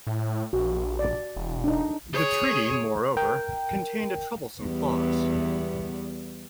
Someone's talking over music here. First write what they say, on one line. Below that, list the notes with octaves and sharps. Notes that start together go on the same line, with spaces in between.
The treaty, moreover, contained a troublesome clause.
A2
A#1 F#4
D5
E1
D4 D#4
G#4 C#5
A#4 G5
E2 G3 B3